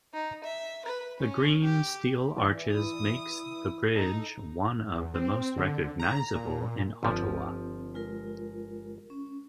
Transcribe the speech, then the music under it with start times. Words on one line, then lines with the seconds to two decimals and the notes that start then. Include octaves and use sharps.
The green steel arches makes the bridge one of the most recognizable in Ottawa.
0.13 D#4
0.44 E5
0.85 B4
1.20 C#4
1.64 G4
2.36 E3 D5 E5
2.74 E4 D#6
3.96 D#4 A4 D#5
4.95 E2
5.14 C4
5.57 D3
6.00 A#5
6.35 A#2
7.03 G1 F3 C4
7.94 G#3 F4 A#4
9.10 C#4